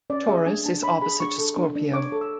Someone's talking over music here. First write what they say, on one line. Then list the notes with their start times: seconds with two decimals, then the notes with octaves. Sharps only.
Taurus is opposite to Scorpio.
0.10 C#4 D5
0.28 G#4 E5
0.46 D4 G#5
0.65 D4 A5
0.83 C#5 B5
1.01 G#4 B5
1.20 D4 C#6
1.38 A4
1.57 D4
1.75 D4
1.94 C#5 D6
2.12 A4
2.21 E6